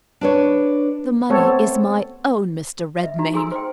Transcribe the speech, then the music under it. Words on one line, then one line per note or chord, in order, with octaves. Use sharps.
"The money is my own, Mr. Redmain."
D4 B4 C#5
A3 B3 C4 A4 C#5
E5
D#4 F#4 A#5
G#4 A4 G#5 A#5 C6 E6
C5 G5